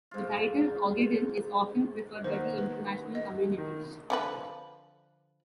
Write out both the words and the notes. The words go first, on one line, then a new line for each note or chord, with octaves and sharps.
The title "Ogaden" is often preferred by the international communities.
G#2 F4
D#3 A#3 B3 C5
B4
D#5
D#3
D3 F3 B4